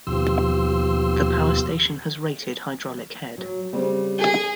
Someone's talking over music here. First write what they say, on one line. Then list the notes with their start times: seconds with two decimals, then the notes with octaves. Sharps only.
The power station has rated hydraulic head.
0.07 D#2 B2 F3 G4 C6 E6
3.38 F#3
3.73 C#3 G3 C4
4.19 G#4